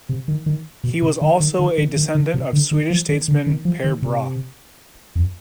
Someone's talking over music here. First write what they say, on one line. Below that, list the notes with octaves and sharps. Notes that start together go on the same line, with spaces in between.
He was also a descendant of Swedish statesman Per Brahe.
C3
D#3
D#3
B2
C3
D#3
D#3
D#3
D#3
D#3
D3
C3
D3
D#3
F3
D#3
D3
D#3
F3
D#3
C3
F2